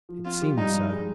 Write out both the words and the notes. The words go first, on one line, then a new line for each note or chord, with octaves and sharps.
It seemed so.
F3
C4 F4
G4
G2 D#4
F3
G#3